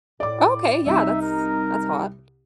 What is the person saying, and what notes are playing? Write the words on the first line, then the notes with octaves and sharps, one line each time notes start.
Okay, yeah. That's that's hot.
A2 D5 D6
C2 D#4 E5
A#4